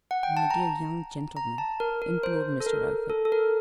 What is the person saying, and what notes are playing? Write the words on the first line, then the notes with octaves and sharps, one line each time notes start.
"My dear young gentleman!" implored Mr. Elphick.
F#5
G5
A5
A#5
A#5
A5
A#4
A#4
C5
A4
A#4
A4
A4
A#4